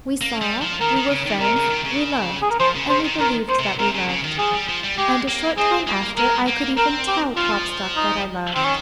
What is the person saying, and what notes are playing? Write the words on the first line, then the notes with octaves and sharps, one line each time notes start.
We saw; we were friends; we loved; and we believed that we loved; and a short time after I could even tell Klopstock that I loved.
A#3
G3
F3
D#3 A#4
D#3
C#3
D#3
C3 A#4
C#3
D#3
C#3
G#4
A#4
F3 C5
C#3
C#3 C5
D#3
D#3 A#4
C5
C3
C3 A#4
C#3
C#3
D#3
F3 G#4
G3
F3
G3
G#3 G4
A#3
C4 G#4
A#3
G#3 A#4
A#3
C4 A#4
G4
F3 F4
D#4
D#3 C4
C#4